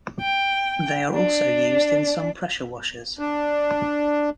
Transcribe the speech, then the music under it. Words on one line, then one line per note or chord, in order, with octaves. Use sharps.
They are also used in some pressure washers.
G5
D4
D4